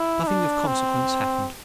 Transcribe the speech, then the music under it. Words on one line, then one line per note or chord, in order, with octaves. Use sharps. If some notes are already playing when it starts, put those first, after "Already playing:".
Nothing of consequence hapened.
Already playing: E4
D4
C4